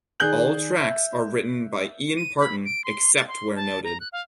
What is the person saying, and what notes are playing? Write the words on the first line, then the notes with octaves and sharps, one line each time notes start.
All tracks are written by Ian Parton except where noted.
D#3 G#4 D5 F#6 G6 F#7
E5
D#7
B5
D7
C6
A6
C6
A5
A#5
F#6
F5